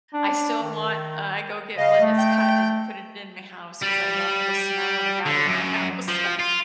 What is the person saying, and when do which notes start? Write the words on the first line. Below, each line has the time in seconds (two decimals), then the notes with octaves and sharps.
I still want, uh, I go get one that's cut and put it in my house 'cause I love the smell of that in my house.
0.13 D4
0.63 D#3
1.77 C#3 D#5 F5
2.00 A3
2.18 G5 G6
3.82 G3
5.26 D3
5.46 F#2
6.08 F3
6.39 F4